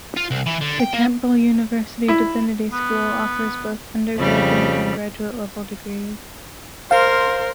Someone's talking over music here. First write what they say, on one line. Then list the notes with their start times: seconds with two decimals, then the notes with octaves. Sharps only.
The Campbell University Divinity school offers both undergraduate and graduate level degrees.
0.17 F4
0.31 C2
0.46 E3
0.61 D3
0.80 G5
0.94 A#3
2.08 E4
2.72 B3
4.17 F2 C#3 G3
6.91 A#4 C5 F5 C6